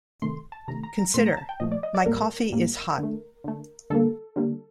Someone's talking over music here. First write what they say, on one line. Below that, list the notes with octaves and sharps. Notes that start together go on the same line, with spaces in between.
Consider "My coffee is hot".
C3 D#3 A3 C6
A5
C3 D#3 A3 A#5
A#5
A#5
A#2 F3 A3 C6
A#5
A5
G5
A#2 F3 A3 D#5
D5
D#5
D5
A2 G3 A#3 A#4
A2 G3 A#3
D3 A3
D3 A3
D3 G3 A#3 A4
D3 G3 A#3